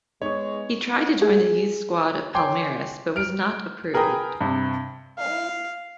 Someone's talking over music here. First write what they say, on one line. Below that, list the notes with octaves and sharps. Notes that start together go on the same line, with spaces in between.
He tried to join the youth squad of Palmeiras, but was not approved.
G#3 B3 D#4 C#5 C#6
G#4
C#5 G5 G#5 C6 D6
F6 D7
G#4 A#4 B4 G5 D#6
G2 C3
F5